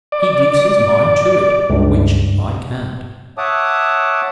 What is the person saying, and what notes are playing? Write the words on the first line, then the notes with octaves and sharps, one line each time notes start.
He gives his mind to it,--which I can't.
D5
C#2 G2
C#5 E5 F#5 A5 D6 D#6